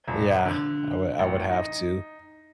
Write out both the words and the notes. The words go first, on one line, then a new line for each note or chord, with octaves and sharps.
yeah, I would I would have to.
D#1
D3
A1
D#4